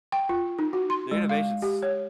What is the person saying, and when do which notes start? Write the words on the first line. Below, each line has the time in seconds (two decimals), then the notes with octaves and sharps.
The innovation's
0.12 G5
0.29 F4
0.59 D#4
0.73 F#4
0.90 C6
1.11 G#3
1.29 F5
1.62 G4
1.82 C#5